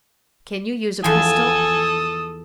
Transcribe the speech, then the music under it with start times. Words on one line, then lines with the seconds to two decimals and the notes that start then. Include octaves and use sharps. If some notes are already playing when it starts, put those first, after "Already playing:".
"Can you use a pistol?"
1.04 E2 F3 A4 G#5 D#6